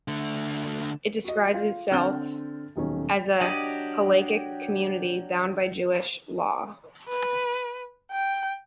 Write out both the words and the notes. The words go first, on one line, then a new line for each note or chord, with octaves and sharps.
It describes itself as a "hallachic community bound by Jewish law".
D3 A3
F#4 D#5
F4
D3 C4 F6 G6 A6 G7
D#1 B1 D#3 C#4
F#3 D4 G4 D#5
B4
G5